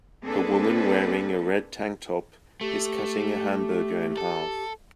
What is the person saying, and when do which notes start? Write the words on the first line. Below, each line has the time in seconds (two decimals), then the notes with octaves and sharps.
A woman wearing a red tank top is cutting a hamburger in half.
0.23 A#3 C4 D4 G#4 A4 B4
2.61 A3 G4
4.18 A4